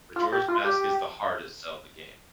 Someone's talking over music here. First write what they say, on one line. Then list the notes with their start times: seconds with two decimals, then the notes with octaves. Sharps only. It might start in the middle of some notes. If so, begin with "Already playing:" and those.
Majora's Mask is the hardest Zelda game.
0.16 F4
0.32 G4
0.48 F4
0.64 G4